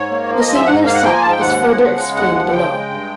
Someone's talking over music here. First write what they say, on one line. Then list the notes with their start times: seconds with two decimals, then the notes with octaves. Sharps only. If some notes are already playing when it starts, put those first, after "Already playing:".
The singular set is further explained below.
Already playing: G#2 C#5
0.10 A#3
0.29 F3
0.41 D#5
0.47 G#2
0.54 E5
0.66 G#2 F#5
0.85 A#3 F5
0.94 F#5
1.04 F3 G5
1.13 G#5
1.22 G#2 A5
1.32 G5
1.40 D#2 F#5
1.60 F3
1.78 C#3
1.97 G#3
2.15 D#2 F#5
2.34 F3
2.52 C#3 G5
2.72 G#3
2.89 G2